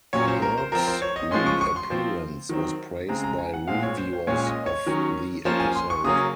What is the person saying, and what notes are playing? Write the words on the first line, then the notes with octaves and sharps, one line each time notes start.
Herb's reappearance was praised by reviewers of the episode.
A#2 F#3 C#4 C#5
C5
A#4
C5
F3 C4 A#4
C5
C#5
D#5
F3 G#3 C#4 C6
C#6
C#6
C6
F3 C4
D#3 F#3 C4
C#3 G#3 C4 A#5
A#5
G#5
F#5
A#2 G#3 C4 F5
C#5
C5
C5
A#2 G#3 C#4 C#5
D#5
C#5
D#3 F#3 C#4
F3 A#3 C#4 C5
G#5
C6
C#6
C#3 F#3 A#3 C#4 D#6